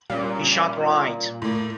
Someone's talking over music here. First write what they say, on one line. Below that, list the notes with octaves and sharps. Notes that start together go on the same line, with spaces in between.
He shot right.
A#2 G3 C#4
A2 A#3